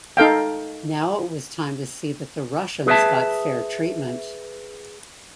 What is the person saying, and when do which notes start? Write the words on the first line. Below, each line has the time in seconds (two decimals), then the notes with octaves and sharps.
Now it was time to see that the Russians got fair treatment.
0.17 D#4 A4 F5 G5
2.87 G#4 B4 C5 E5 A5